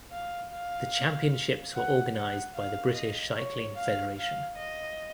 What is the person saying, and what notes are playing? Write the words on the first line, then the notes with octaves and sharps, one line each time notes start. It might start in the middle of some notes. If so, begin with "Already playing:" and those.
The Championships were organised by the British Cycling Federation.
F5
F5
F#5
F#5
F5
D#5
C#5
F5
F5
D#5